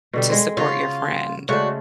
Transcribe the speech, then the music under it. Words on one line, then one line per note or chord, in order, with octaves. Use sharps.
to support your friend.
B2 D3 G3
G#3 C4
C#3 F4 F#4 C#5
C#3 G#3 A3 D4 F#4